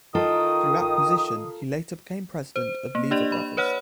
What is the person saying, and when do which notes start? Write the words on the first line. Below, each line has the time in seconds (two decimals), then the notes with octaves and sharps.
Through acquisition, he later became president of Lever Brothers.
0.15 D#3 F4 A4 A#4 D#6
2.56 C5
2.95 A#3
3.11 D4 G4 D5 D#5
3.32 B5
3.57 B4 C#5 F#5 F6